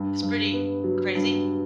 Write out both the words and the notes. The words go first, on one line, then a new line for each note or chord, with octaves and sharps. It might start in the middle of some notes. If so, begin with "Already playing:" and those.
It's pretty crazy?
Already playing: G2
G2
B3
F#3
G2